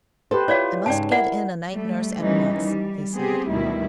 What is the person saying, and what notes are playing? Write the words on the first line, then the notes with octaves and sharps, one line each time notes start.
"I must get in a night nurse at once," he said.
G4 A4 B4 C5
E4 F4 C#5 D5 F5
G#2 C#3 D5 G5 A5
E4 A#4 D5 F#5
G3 A3
D#3 E3 G3 C#4 D#4
G3
B3 C4 G4 G#4
D2 B2 D#3 G3 E4